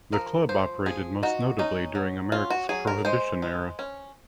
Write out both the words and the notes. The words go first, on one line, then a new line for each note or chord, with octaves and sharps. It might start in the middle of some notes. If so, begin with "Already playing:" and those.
The club operated most notably during America's Prohibition Era.
F3 A#4
F3 C5
F3 G#4
D#4 F#4
C#4 D#4
F#3
C#4 F4
F#4
F#3 G#4
A#4
G#3 C5
G#3
C#4